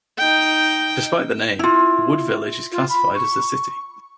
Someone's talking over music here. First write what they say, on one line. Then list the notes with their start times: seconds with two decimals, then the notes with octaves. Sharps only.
Despite the name, Wood Village is classified as a city.
0.18 D#4 G5
1.59 E4 F4
2.72 F4
2.89 B5
3.15 C#6